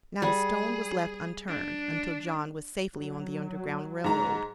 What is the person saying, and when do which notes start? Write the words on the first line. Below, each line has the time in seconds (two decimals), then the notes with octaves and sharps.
Not a stone was left unturned until John was safely on the Underground Rail Road.
0.22 G3 G#4
1.48 D4
2.94 F#3
4.04 G#2 A#5